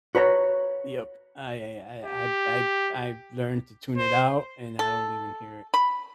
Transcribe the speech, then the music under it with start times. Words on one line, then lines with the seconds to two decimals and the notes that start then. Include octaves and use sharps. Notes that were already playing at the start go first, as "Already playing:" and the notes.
Yep, I I I I've I've I've learned to tune it out, and I don't even hear it.
0.15 F#4 B4 C#5 A#5
2.03 G4
3.98 C5
4.79 A4
5.74 B5